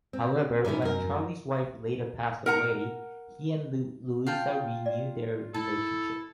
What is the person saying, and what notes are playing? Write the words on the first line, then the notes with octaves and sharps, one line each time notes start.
However, when Charlie's wife later passes away, he and Louisa renew their relationship.
C4
D3 D#3 C#4 E4 A#4
F#2 A#4
A#4 F#5 A#5
F4 F5 G5 A5
D5
E4 A4 A5